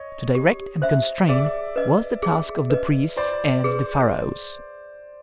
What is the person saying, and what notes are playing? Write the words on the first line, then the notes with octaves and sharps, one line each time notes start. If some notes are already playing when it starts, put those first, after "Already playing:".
To direct and constrain was the task of the priests and the pharaohs.
Already playing: C#5 D#5
G4
C5 E5
G#4 D5 E5
B4 D#5
G#4
B4 D#5
F4 C5 D5
G#4 B4